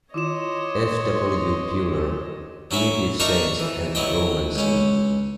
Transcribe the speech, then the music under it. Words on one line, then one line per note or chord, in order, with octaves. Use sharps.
F. W. Puller, "Primitive Saints and the Roman See".
D#3 E4 F4 C#5 D#5 C6 D6 E7
F#3 C#4 E4 E5
D4 D#4 A#4 E5 A#5 C#6
E3
F#3 E4 D#5 G5
C#2 C#4